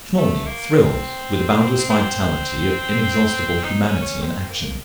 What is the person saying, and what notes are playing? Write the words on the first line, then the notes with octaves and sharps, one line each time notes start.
Smolny thrilled with the boundless vitality of inexhaustible humanity in action.
A3
A#3
C4
C4
D#4
C#4
C#4
C4
A#3